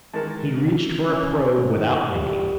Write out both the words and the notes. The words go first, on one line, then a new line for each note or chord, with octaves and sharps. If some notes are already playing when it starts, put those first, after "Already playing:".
He'd reached for a probe without thinking.
D#3 E3 G#3 A#4 A5
B2 C#4
D#3
G3